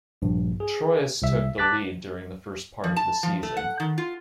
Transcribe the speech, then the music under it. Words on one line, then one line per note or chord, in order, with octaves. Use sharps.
Troyes took the lead during the first part of the season.
A#1 G2
G#4
C2 E5
A5 D6 F#6 A6 B6
F3
A5
F3
A3
F#5
D#3
F4